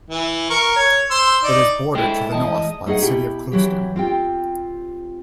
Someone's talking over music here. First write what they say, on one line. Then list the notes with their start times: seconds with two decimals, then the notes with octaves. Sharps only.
It is bordered to the north by the city of Clewiston.
0.10 E3
0.50 A#4 C#6
0.76 C#5
1.11 C5 C6 E6
1.43 D#4 D5
1.95 G#3 E4 A4 G5
2.32 A2 E3 D#5 A5
2.86 A3 D#4 G#4 D#5 F#5
3.02 B2 E4 G4
3.52 E3 F#3 G4
3.96 C4 F4 G4 G5